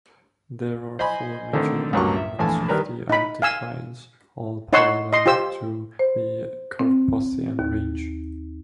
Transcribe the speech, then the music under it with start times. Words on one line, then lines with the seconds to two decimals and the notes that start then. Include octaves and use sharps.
There are four major alignments of the anticlines, all parallel to the Carpathian Range.
0.99 C5 D#5 G#5 B5 C6
1.53 D3 D#3 A3 C4
1.93 C#2 G2 F#3 A#3 C#6
2.16 E5
2.39 A#1 E2 A3 G#5 A5
2.68 D#3 G3 A#4 B4
3.10 D#4 B5
3.42 F5 G#5 E6
4.73 D#4 C#5 F#5 C6 E6
5.13 D#5 C6
5.26 F4 G4 C5 E6
5.99 C5
6.79 C4
7.59 D#2